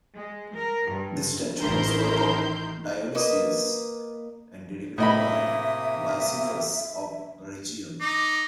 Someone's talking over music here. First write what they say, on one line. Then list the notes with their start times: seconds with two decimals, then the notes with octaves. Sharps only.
This statue was a work of Dionysius, and dedicated by Micythus of Rhegium.
0.14 G#3
0.53 A#4
0.90 G2
1.60 A1 D#3 E4 A#4 C6 G6
3.15 A#3 B4 D#5
4.98 A2 C3 A#3 D#5 E5 B5 D#6
8.00 D#4 D6